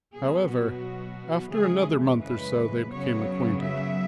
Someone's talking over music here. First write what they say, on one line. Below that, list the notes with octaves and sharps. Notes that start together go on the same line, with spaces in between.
However, after another month or so they became acquainted.
B2 F#3 B3 G#4
F#4
F#2 C#3 E3 G#3 G#4
B4
F#2 C#3 F#3 B3 C#5
E5